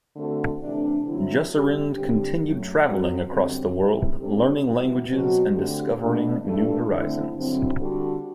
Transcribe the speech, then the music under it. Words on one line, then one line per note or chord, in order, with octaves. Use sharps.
Jusserand continued travelling across the world, learning languages and discovering new horizons.
D3 A3 C4 F#4 A4
C3 E3 A3 D4
D3 F#3 C4 E4
C3 G3 D4 G4
D3 G3 C4 G4
F#2 F#3 A3
F#2 F#3 C4 F#4 A4
F#2 D3 G3 C4
C3 G3 C4 E4 G4
C3 G3 D4 A4
C3 E3 G3 B3 F#4
B2 F#3 C4 F#4
D3 A3 C4 G4
B2 A3 D4
G2 E3 A3 D4 A4
D3 A3 C4 E4
G2 D3 F#3 C4 E4
D3 G3 D4 F#4 A4